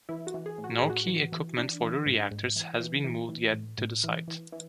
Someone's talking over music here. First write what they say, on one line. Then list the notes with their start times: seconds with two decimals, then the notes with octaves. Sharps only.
No key equipment for the reactors has been moved yet to the site.
0.09 E3 E4
0.27 F#4
0.34 E3
0.46 G#4
0.58 A2
0.64 F#4
0.77 G#4
0.83 A2
0.90 F#4
1.07 E3
1.32 E3
1.57 E3 D4
1.81 E3
2.06 G#2
2.31 G#2
2.56 E3
2.80 E3
3.04 E3
3.29 E3
3.53 A2
3.78 A2
4.04 E3
4.28 E3
4.52 E3